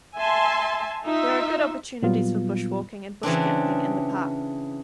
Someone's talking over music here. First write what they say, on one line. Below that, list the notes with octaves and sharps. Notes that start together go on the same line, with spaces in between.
There are good opportunities for bushwalking and bushcamping in the park.
E5 G#5 A5 C6
D#4 F4 E5
A#2 F#3 G3 B3 F4
C#3 E3 C4 D4